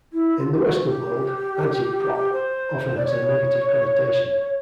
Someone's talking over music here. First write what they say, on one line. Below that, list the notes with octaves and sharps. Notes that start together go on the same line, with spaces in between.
In the Western world, "agitprop" often has a negative connotation.
E4
F4
G4
F#4
F#4
G4
C5
D5
C#5